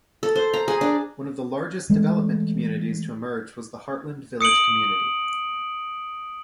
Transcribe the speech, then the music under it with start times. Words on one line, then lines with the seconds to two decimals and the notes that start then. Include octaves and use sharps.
One of the largest development communities to emerge was the Heartland Village community.
0.23 A4
0.35 C5
0.53 A#5
0.68 G#4
0.81 D4
1.90 E3 G#3 A3
4.41 D#6 C#7 D7 F#7